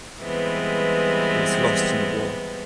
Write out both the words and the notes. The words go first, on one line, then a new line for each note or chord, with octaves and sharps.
It was lost in the war.
E3 G3 G#3 B3 C4